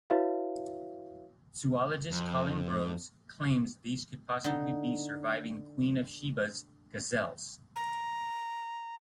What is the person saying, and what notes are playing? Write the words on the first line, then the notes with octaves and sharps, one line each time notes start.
Zoologist Colin Groves claims these could possibly be surviving Queen of Sheba's gazelles.
E4 F#4 B4 C#5 E5 F5
F2
D3 D#4
A#5